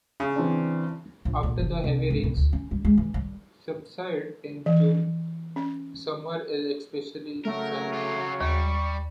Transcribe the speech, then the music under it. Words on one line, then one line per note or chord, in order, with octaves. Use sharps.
After the heavy rains subside in June, summer is especially sunny.
C#3
E3 C4 D4
A#1
A#2
F#1
C2
G#1
B2
D2
C#4
G3
G#3
E3
G3
E3
C#4
C#3 F#3 A3 A#4
F4 G4
D#2 G3 C#6